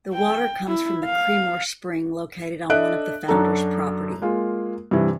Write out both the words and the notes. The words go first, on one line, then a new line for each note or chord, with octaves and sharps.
The water comes from the Creemore Spring located on one of the founder's property.
G5
E4
F5
D4 A4 D#5 E5 F#6 D7
F#2 D4 F#4 A4 A#5
G#3 A#3 F4
G2 C3 E3